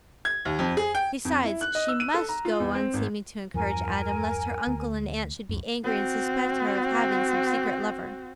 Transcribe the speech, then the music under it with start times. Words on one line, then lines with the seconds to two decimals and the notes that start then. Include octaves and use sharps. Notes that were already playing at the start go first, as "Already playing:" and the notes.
Besides, she MUST go on seeming to encourage Adam, lest her uncle and aunt should be angry and suspect her of having some secret lover.
0.25 G#6
0.45 D#2
0.59 F2
0.77 G#4
0.95 G5
1.25 F2
1.44 E4
1.61 F#6
1.75 D#5
1.88 E6
2.00 D#7
2.14 A4
2.29 A#5
2.45 F4
2.60 E2
2.75 C4
2.94 G#1
3.54 E2 G2 F3 A#4 G#5
4.67 D2
5.49 C#2 F#2
5.84 C4 F#4